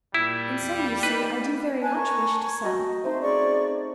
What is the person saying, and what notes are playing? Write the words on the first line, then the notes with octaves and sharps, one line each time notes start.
"And so you see, I do very much wish to sell."
A#2 G3 E4
E2
D#4 B4
G#5 A5 F#6
A#4 G#5 A5 C#6
F#4 D#5 G5
A3 C4 D#4 C5
C#4 G#4 D5 C#6